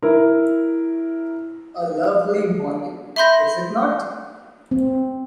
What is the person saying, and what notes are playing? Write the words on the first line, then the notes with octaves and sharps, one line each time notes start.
A lovely morning, is it not?
E4 A#4
E5 B5 C6 G6 A#6
C4